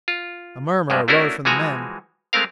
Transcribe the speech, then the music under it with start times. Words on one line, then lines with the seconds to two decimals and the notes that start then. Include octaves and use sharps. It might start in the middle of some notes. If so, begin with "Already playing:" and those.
A murmur arose from the men.
0.08 F4
0.90 G2 B2 G3 G#3
1.08 A3 C#4 D4 E4 F#4 A#4
1.45 E3 F3 G#3 F#4 G#5 A#5
2.33 G#3 A3 C4 A#4 F5